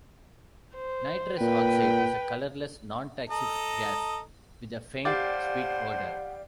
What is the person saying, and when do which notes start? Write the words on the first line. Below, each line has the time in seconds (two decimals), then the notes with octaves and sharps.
Nitrous oxide is a colourless, non-toxic gas with a faint, sweet odour.
0.75 C5
1.40 A#2 B4 G5
3.30 A4 D#5 A#5
5.05 A2 G4 C5 D5 F5 F#5